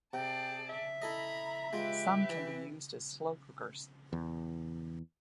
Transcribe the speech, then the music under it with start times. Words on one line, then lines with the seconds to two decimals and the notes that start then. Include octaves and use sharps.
Some can be used as slow cookers.
0.13 C3 G#4 D5 G5 A5
0.70 E5
1.02 E4 A4 D#5 A#5 B5
1.73 G#3 F4 G4 B4
2.30 E3
4.13 E2